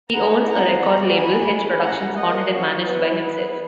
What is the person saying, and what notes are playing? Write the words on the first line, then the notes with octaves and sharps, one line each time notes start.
He owns a record label, H. Productions, founded and managed by himself.
B3 E4 G#4 F#5 A#5
F#5 A#5
B3 D#4 F#4 F#5 A#5
G#5 B5
A#3 C#4 E4 G#4
F#5 A#5
A#3 C#4 F#4 D#5 F#5
C#5
B3 E4 G#4 B4
B4